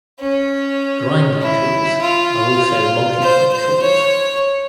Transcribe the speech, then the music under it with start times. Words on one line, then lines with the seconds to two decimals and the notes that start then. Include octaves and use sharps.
Grinding tools are also multipoint tools.
0.19 C#4
1.41 E4
2.01 F4
3.21 C5
3.52 C5
3.81 C#5